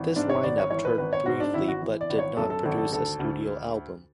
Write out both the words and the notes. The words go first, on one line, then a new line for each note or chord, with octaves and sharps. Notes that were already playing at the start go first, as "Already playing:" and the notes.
This line-up toured briefly but did not produce a studio album.
Already playing: G#1 E3
G#2 D4
C#5
G#1 D5
C#5
E3 C#5
B4
G#1 B4
C#5
G#2 F#4
D4
G#1 E4
F#4
E3
D5
G#1
C#5
F#2 A4
A4
G#1 A4
A4
D2 A4
D2